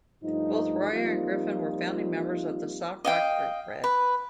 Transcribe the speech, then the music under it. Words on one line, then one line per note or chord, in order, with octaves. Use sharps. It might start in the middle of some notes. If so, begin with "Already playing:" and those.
Both Royer and Griffin were founding members of the soft-rock group Bread.
G2 F3 A3 D#4
F3 G3 A#3 C4 D#4 F4
D#5 F5 G5
B4